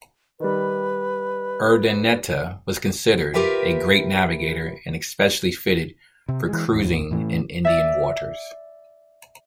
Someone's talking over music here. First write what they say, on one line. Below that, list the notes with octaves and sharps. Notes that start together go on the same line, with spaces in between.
Urdaneta was considered a great navigator and especially fitted for cruising in Indian waters.
D#3 G3 B4
F4 G4 A#4 B4 E5 G5
C3
E3 G#3
A1 E2
A2 E3 A3
D5 E5